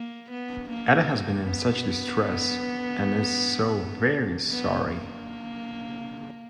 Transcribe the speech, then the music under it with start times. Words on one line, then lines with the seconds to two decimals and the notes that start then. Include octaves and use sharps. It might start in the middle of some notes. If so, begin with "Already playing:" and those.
Ada has been in such distress, and is so very sorry.
Already playing: A#3
0.31 B3
0.69 A#3
1.45 B3
4.50 B3
4.89 A#3